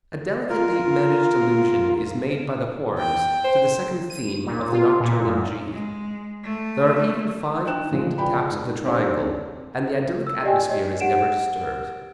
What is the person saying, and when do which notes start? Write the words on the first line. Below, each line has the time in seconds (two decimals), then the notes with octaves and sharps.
A delicately managed allusion is made by the horns to the second theme of the nocturne in G. There are even five faint taps of the triangle, and the idyllic atmosphere is never disturbed.
0.50 F4 A#4
2.98 G5
3.44 C5
4.10 D#7
4.46 A#2
4.72 F4
5.00 A#2
5.24 F#2
5.72 G#3
6.44 A3
7.65 D4 D#4 D#5 G5 F#6 E7
7.91 A2 C#3 E3 F3 G#3
8.18 F4 G#4 B4 D5 G5 B5
8.51 G#2
8.86 C4 D4 D#4 G4 C#5 D5
10.27 E6
10.44 G4 D5 D#5 G5 G#5
10.70 G4 C#5 D#5
11.00 G4 F#5 D7 E7